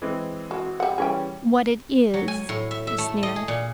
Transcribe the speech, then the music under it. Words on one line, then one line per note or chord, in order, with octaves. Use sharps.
"What it is," he sneered.
E3 G#3 C4
F#4
G3 F#5
E3 G3 C#4 G#4 G5
F#3
G#5
A2
E5
E5
A3
D#5
G#4
A#2